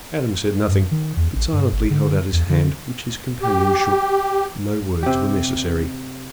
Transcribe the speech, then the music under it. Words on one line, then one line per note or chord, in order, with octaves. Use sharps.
Adam said nothing, but silently held out his hand, which his companion shook: no words were necessary.
G2
D#3
E2
A1
G2
G1
D3
E2
D3
G4
C3 G4